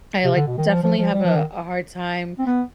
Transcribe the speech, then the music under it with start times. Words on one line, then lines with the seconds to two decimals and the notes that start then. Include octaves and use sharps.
like definitely have a a hard time
0.24 C3
0.36 D3
0.47 B2
0.58 D#3
0.69 F3
0.83 F3
0.98 F3
1.13 G3
1.25 F3
1.36 D#3
2.39 C4
2.46 B3